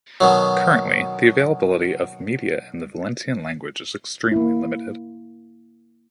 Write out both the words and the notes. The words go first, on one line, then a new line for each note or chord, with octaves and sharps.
Currently, the availability of media in the Valencian language is extremely limited.
B2 D#3 F#3
A#3 E4